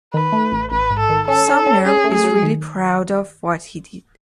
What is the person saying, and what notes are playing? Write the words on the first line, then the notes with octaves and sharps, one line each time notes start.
Sumner is really proud of what he did.
D#3 B4
A3
A1
A1 B4
G#2
A4
D#3
C#4 A4
C#4
A4
C#4
C#4 G#4
A3
G#4
F#3
D#3